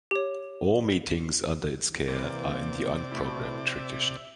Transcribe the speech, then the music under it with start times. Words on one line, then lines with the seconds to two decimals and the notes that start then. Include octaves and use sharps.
All meetings under its care are in the unprogrammed tradition.
0.11 G4 C#5
2.08 C3 E3 A#3 D5
3.11 B2 A3 E4
3.75 E5